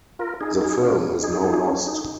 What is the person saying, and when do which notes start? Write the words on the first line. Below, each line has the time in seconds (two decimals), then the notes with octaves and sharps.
The film is now lost.
0.19 F4 A#4
0.41 D#4 G#4
0.61 D#4 G#4
0.82 C#4 F4
1.23 D#4 G#4
1.44 D#4 G#4
1.65 C#4
1.86 D#4